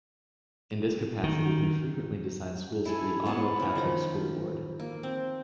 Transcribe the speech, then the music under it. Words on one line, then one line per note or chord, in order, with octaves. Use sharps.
In this capacity he frequently designed schools for the Ottawa Catholic School Board.
D#3
E4 A4 G#5
B3 B4 C#5 A5
C#3 E3
D#3 F3 A#5 B5
A#3
C4